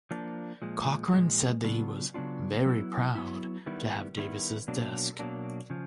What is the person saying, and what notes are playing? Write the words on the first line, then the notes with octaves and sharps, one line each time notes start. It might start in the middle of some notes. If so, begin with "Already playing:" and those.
Cochran said that he was "very proud" to have Davis' desk.
F3 A#3 D4
A#2 F3 G#3
A#2 F3 G#3
C#3 F#3 B3 D4 F4
C#3 F#3 B3 D4 F4
F#3 B3 E4
F#3 B3 E4
D#3 G3 B3 E4
D#3 G3 B3 E4
B2 F#3 A#3 D4
B2 F#3 A#3 D4
C#3 F3